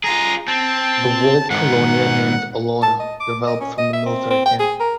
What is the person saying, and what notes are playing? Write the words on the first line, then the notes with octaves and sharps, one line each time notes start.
The walled colonia named "Alauna" developed from the military camp.
F4 G#4 A#5
C4 A5
G#2 D#3 F#5
A5
D#5
D6
D#5
C#4
D#5
E5
C4
C4
G5
G#4
A#4